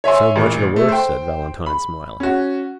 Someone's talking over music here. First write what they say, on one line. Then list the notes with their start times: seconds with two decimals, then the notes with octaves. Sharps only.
"So much the worse," said Valentine, smiling.
0.04 C#5 E5 G#5 C6
0.36 A1 A#2
0.76 A3
0.88 C5 G5
1.66 B5
2.20 C#4 F#4